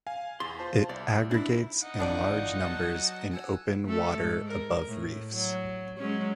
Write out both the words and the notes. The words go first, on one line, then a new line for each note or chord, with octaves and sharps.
It aggregates in large numbers in open water above reefs.
F5 G#5
E2 C6 A6
F4 C5 A5
C2 D5
D4 E4
D#4 F#5
G1 E3 B3 D4 F4 D5
F#3 A5
F#5 G#5 E6
A3 A4
G#2
A#4
A2
F#3
F#3 G#3 C#4